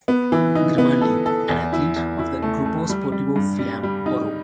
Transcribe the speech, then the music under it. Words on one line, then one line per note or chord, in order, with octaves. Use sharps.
Grimaldi an athlete of the Gruppo Sportivo Fiamme Oro.
B3
E3
D#4
B3
A4
A4
E2
E4
E2
E4
A3
A3
G3
G3
G2
G3
G3
D#4